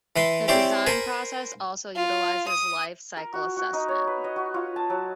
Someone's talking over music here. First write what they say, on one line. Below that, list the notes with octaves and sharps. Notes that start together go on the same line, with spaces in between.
The design process also utilizes life cycle assessment.
E3 B4 B5 C6
C4 C#4 E4 G4 C5 D5
A#4 C5 G#5 B5
F4
D#6
A#4
F#4
F#4
D#4
C#5
B4
D#5
F#4
F4
A5
F#3